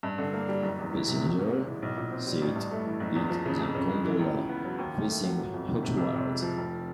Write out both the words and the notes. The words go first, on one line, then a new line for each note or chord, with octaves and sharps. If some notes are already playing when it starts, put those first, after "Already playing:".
Passengers sit in the gondola, facing outward.
G2
D3
A#3
G3
F#1
E2
E3
C3
G#1
G#2
G#3
E3
B1
A#2
C4
G3
A1
G2
A3
E3
F#1
E2
F3
C#3
F2
C#3
G#3
E3
C#2
C#3
B3
F#3
D#2
D#3
A3
F#3
G1
F2
D#3
C3
F2
C3
G#3
F3
F1